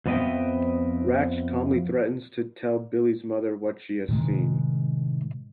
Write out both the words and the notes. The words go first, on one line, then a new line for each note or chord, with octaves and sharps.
Ratched calmly threatens to tell Billy's mother what she has seen.
F2 F3 B3 D#5 E5 G5
A2 C3 D#3 G#3